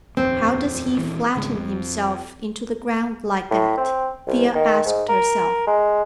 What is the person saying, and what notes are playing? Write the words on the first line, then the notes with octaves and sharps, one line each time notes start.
"How does he flatten himself into the ground like that?" Thea asked herself.
D#1 F2 C4
D#1 E3
G#1 C#3 G#3
F2
A2
C4
C2
D#3
G#2
A#4
G#3